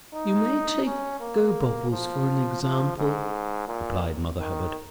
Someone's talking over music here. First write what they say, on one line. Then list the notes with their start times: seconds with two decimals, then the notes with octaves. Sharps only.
"You may take Gobobbles for an example," replied Mother Hubbard.
0.14 D#4
0.85 C#4
1.21 A#3
1.91 F3
2.62 F3
2.97 G#2
3.68 A#2
4.39 D#3